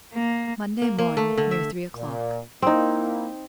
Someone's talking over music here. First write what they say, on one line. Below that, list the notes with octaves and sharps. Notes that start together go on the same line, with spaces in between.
'Monday morn, near three o'clock.'
A#3
A#3
A#3
A3
D3
E5
A#2
A#3 C4 D#4 E4